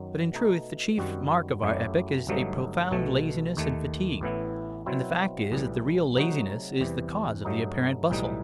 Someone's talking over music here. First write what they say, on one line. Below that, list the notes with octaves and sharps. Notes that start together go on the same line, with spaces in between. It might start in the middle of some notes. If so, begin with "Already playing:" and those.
But in truth the chief mark of our epoch is a profound laziness and fatigue; and the fact is that the real laziness is the cause of the apparent bustle.
Already playing: F#2 D#3 F#3
B2 A3 D#4
F#2 D#3 G3 C4 F#4
F#2 F#3 A3 E4 G4
G1 G2 F#3 A3 D#4
B1 B2 A3
D#2 D#3 A3
A1 A2 E3 B3 E4
B2 F#3 C4 E4
B1 A2 E3 G3
C3 F#3 A3 D#4 F#4
E2 C3 E3 G3
G2 F#3 A3 D#4
B1 A2 E3 G3 D#4